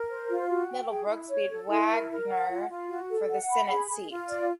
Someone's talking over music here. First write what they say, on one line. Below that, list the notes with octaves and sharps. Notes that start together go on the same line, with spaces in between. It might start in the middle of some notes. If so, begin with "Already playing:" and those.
Middlebrooks beat Wagner for the senate seat.
Already playing: A#4
C5
F4
F#4
G5
G#4
E4
C#5
A4
E4
A#4
A#4
F#5
F4
F4
F#4
A4
F#5
B5
G#4
G#4
F4
D5